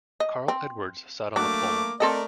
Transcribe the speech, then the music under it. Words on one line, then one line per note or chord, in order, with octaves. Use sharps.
Carl Edwards sat on the pole.
D#5
C4
F#3 A3 A#3 D4 D6
A3 C4 A4 A#4 D5 D#5